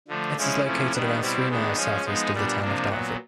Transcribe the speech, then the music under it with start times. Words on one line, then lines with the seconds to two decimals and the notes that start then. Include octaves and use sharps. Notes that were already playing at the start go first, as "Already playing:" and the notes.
It is located around three miles southeast of the town of Dartford.
0.08 D3 F3 A3 D4
0.37 F3 G#3 C#4 E4
0.64 C3 F3 A3 C#4 E4
0.92 D#3 G3 B3 D4
1.20 B2 G3 C4 E4
1.48 D#3 G#3 B3 D4
1.76 F3 G#3 C#4
2.04 F3 G#3 B3 D#4
2.32 A#2 G3 B3 D4
2.61 C3 F3 A#3 D4
2.88 A#2 F#3 B3